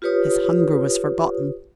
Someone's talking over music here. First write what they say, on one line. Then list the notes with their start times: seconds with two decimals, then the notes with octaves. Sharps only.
His hunger was forgotten.
0.02 F4 G4 B4 C#5 D#6